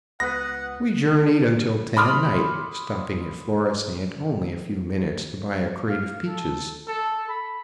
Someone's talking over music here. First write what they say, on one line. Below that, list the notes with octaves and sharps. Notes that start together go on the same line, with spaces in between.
We journeyed until ten at night, stopping at Florisant only a few minutes to buy a crate of peaches.
C#2 B3 B4 F#5 A#6
B5 C6 D6 D#6 F6
F5
A4
A4
B5